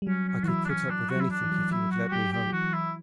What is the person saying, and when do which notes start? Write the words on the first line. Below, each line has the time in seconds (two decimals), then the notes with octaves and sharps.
I could put up with anything if you would let me hope.
0.02 G3
0.07 F#3 C#4
0.28 C#4
0.43 E3 F#4
0.48 F#3 E4
0.65 D4
0.69 C#4
0.90 F#3 D4
1.10 F#4
1.16 F#3 E4
1.31 D4
1.44 E3
1.52 F#3
1.59 E3
1.71 F#3 E4
1.91 F#4
2.08 F#4
2.12 F#3 G4
2.33 G4
2.47 F#3
2.53 E3 F#4
2.73 E4